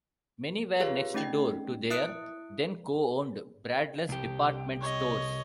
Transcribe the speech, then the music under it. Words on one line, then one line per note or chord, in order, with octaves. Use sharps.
Many were next door to their then-co-owned Bradlees Department stores.
F4 G4 G#4 B4 C#5 F5
A3 C#4 D#4 D#5 G5
E4 E5 D#6 F#6 C#7 D7
C2 G4
C#5 D#5